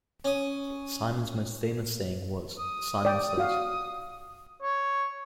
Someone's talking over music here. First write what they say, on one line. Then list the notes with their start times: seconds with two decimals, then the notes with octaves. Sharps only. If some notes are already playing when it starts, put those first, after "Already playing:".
Simon's most famous saying was, Simon says!
0.25 C#4 D#6
2.58 D#6
3.05 D5 G5
3.38 F#4 F5
4.62 C#5